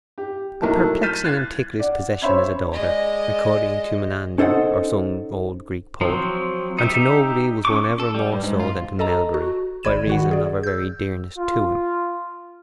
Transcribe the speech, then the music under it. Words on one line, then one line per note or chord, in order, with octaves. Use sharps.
"A perplexing and ticklish possession is a daughter," according to Menander or some old Greek poet, and to nobody was one ever more so than to Melbury, by reason of her very dearness to him.
G4
B1 A3 E4 A#4 A5
F6 G6 A6 B6 D#7 E7
F#6 G#6 A6 C7
D5 F#5
C#4 C5 C#5 E5 B5 G#6
G#3 D5 D#5
C#4 D#4 A4 C5 F#5
F3 F#3 C4
D#4 G4 E5
C#4 C#6 D6
A4
G3
G2
G#2
F4
A4 D#5 A5 A#5
F#4
G#1 D5 B5 G#6 D#7 E7
D#3 F#4 F#5
G#4 D5
E6 G6
F4